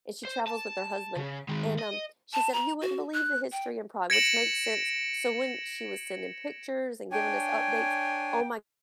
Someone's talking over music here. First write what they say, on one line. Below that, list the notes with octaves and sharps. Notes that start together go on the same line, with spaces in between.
and she travels with her husband, and, um, she said, "You wouldn't believe the history in Prague," which makes sense. So when she was sending pictures and giving us updates, oh my
C5
A5
C#3
D#3 G#3
D#5
A5
A#5
F#4
F#6
G5
G#6 A#6 C#7 D7 E7 F#7
D4 C#5 G5 G#5